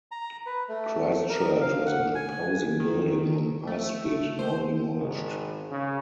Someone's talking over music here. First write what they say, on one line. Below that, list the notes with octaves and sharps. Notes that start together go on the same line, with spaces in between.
Christ Church was an imposing building on High Street, now demolished.
A#5
B4
A3
A#4
F5
F#5
G#5
D#3
A3
C5
G#1
C#3